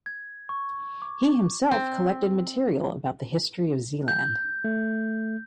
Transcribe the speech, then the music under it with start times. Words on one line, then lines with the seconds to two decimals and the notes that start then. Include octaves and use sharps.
He himself collected material about the history of Zeeland.
0.06 G#6
0.49 C#6
1.02 D6
1.71 C4
4.08 G6
4.64 A3